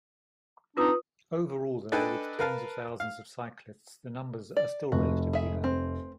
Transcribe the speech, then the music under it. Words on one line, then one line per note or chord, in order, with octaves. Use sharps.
Overall, though, with tens of thousands of cyclists, the numbers are still relatively low.
C4 D4 D#4 F4 B4 D#6
D4 A4 B4 D#5 G5 G#5
A#4 B4 F5 A5
F5
D5
F1 F#4
G#4 E5
C4